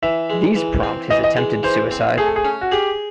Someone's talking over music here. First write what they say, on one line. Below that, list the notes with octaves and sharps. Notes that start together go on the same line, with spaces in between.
These prompt his attempted suicide.
E3 E5
G#3
E3
C4
E3 D#5
D#5
G#3
E3 C5
C4
A3 G#4
A4
G#4
C#4
F#4
G4 G#4